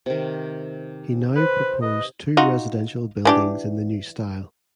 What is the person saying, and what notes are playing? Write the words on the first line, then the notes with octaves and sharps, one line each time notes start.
He now proposed two residential buildings in the new style.
C3 D#3
B4 C5
B4 D#5
D#4 F4 F#4
E3 D4 G4